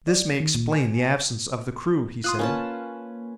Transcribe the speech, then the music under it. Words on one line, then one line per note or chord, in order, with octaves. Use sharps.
"This may explain the absence of the crew," he said.
D5
D#3
A#2
G#5
F4 C6 D#6 F#6
A#3 C#4 B4 A5